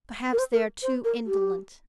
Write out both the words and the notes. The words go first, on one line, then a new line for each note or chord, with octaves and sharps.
Perhaps they are too indolent.
A#4
C5
A#4
C5
A#4
G4